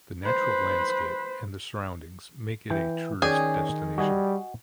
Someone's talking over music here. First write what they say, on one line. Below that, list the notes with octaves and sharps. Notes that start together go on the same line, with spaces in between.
The natural landscape and the surroundings makes it a tourist destination.
B4 C5
E3 G5
D#3 C#4 G#4 D5 G5
G3 F#4 D#5 G#5